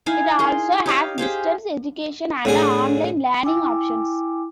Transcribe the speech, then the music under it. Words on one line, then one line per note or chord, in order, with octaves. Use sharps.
It also has distance education and online learning options.
D#4 E4 F5 G#5
G#4 A#4 C6
G4 C#5 D#5 F5
G4 G#4 C5 F5
A2 D3 G#4
E4 G5 G#5 D6